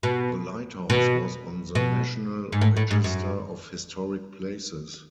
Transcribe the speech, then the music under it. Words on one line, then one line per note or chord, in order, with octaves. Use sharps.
The lighthouse was on the National Register of Historic Places.
B2
B2
B2
G#2
A2
A2
G#2
F#2